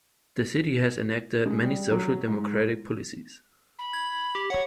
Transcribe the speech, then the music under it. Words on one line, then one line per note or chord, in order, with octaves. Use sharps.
The city has enacted many social democratic policies.
G#3
G3
F#3
G#2
B5
G#6
G4
C#5 F#5